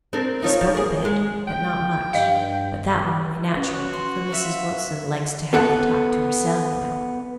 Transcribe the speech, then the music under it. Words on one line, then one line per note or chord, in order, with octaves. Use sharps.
She spoke a bit, but not much; but that were only natural, for Mrs. Wilson likes to have the talk to hersel, you know.
C4 D4 A#4
D#4 F4 C#5
F3
G#4 A#4
G#3
G5
G2 D#5 F5
C#4 F#4 B4 D#5
C6
E5 F5
B3 A4 F#5